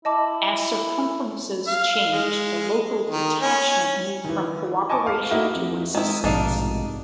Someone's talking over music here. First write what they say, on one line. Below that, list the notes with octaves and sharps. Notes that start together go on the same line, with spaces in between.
As circumstances changed, the Local Detachment moved from cooperation to resistance.
E4 D#5 A5 D6
F5
G#3
D#3
C#4
D#3 E3
D#5 G#5 A5 C#6 D6
F5
A3 A#3 D#4 E4 F#4 A#4
F2
G#2 D#3 E4
F1 A#1 G#2 B2 D4 D#4 F5